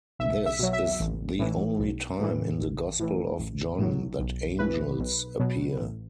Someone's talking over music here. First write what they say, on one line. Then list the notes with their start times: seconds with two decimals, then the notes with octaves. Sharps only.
This is the only time in the Gospel of John that angels appear.
0.19 B1 E5
0.46 E5
0.59 B2 F#3
0.73 E5
1.00 A1
1.39 A2 E3
1.80 B1
2.20 A2 E3
2.60 A1
3.00 A2 E3
3.39 A1
3.79 A2 F#3
4.19 B1
4.59 A2 E3 B4
4.99 B1
5.39 B2 F#3
5.79 A1